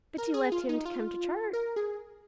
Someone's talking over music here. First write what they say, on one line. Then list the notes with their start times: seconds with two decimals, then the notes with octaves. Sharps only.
'But you left him to come to church.'
0.18 A#4
0.34 G#4
0.52 F4
0.69 D#4
0.85 F4
1.53 A#4
1.76 G#4